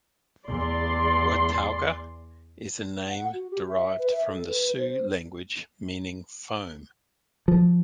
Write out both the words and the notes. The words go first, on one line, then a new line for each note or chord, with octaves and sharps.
Watauga is a name derived from the Sioux language meaning "foam".
E2 D5 C6
F#5
F#4
G4
E5
B4
E5
A4
B4
C5
F3